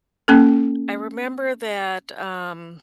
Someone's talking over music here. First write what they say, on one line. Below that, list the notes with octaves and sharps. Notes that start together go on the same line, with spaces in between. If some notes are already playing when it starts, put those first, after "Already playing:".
I remember that, um
A#3 C#4 A4